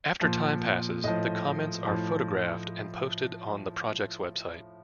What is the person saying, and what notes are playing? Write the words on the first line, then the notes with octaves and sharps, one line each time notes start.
After time passes, the comments are photographed and posted on the project's website.
A#2 F3
A2 F3 D#5
A2 F3